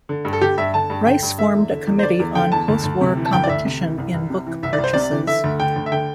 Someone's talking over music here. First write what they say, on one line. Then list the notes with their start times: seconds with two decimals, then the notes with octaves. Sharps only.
Rice formed a Committee on Postwar Competition in Book Purchases.
0.09 D3
0.25 G2
0.33 A4
0.41 D3 G4
0.58 G2 E5
0.74 D3 A5
0.90 G2
1.06 D3 G5
1.22 G2
1.38 D3 E5
1.55 E2
1.71 D3
1.87 E2
1.99 C5
2.03 D3 D5
2.20 E2
2.35 D3 G5
2.52 E2 A5
2.68 D2
2.84 D2
3.01 C3
3.17 E3
3.25 A5
3.33 D2 G5
3.44 D5
3.49 D2 E5
3.65 C3
3.82 E3
3.98 C2
4.14 C2
4.30 C3
4.47 E3
4.63 C2 E5
4.73 D5
4.78 C2
4.84 C5
4.94 C3 D5
5.11 E3
5.27 D3 E5
5.44 D2
5.60 D3 G5
5.76 D2
5.86 E5
5.92 D3 G5